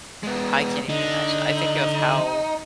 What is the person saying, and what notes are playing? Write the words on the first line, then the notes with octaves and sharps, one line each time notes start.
I can't even imagine I think of how
G#3 B3
D3 D#4